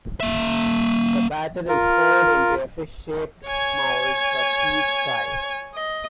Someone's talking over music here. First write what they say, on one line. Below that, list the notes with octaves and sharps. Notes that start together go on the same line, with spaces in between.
The batter is poured into a fish-shaped mould for each side.
A#3 E5
F4 A#4
C#5 G#5
D#5